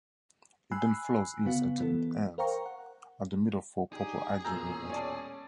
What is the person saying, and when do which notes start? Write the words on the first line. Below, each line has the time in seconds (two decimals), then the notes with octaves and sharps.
It then flows east until its end at the Middle Fork Popo Agie River.
0.71 G#5 B5 E6 F#6 C7
1.45 D2 C#3 B3 F#4 F5
1.79 E3 B3 A4
2.38 A#4 C5 F5 G5 A#5 C#6
2.66 F#5
3.93 D4 D#4 G4 G#4
4.45 E1 A#2 C#4 A#5 E6 G6
4.90 C#5 D5 A5